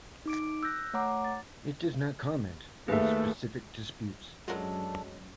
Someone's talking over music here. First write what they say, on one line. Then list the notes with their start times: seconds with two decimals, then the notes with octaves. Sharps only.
It does not comment on specific disputes.
0.26 D#4 D6 D7
0.63 E6 F#6 G6 A#6
0.94 A3 C#5 F#5 A#5 D6
1.25 A6
2.88 D#2 A3 G#4 B4 E5
4.48 F#2 F#3 G#3 D4 F4 F#4 A4 A#4